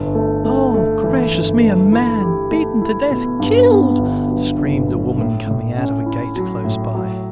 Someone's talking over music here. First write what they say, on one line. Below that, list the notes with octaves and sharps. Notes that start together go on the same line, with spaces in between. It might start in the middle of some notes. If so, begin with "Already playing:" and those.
"Oh, gracious me, a man beaten to death--killed!..." screamed a woman coming out of a gate close by.
Already playing: G1
A3
A3
A3
E3
G1
A3
E4
G4
A3
E4
B2
G2
B3
G1
F#3
G1
F#3
A2
A2
C#4
E4
F#3
A2
F#3